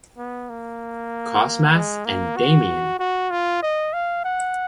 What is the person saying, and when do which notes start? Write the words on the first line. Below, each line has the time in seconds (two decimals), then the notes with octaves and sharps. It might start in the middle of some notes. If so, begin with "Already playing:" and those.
Cosmas and Damian.
0.18 B3
0.50 A#3
1.74 G#3
2.06 A#3
2.37 F#4
2.99 F#4
3.31 F4
3.63 D#5
3.93 F5
4.24 F#5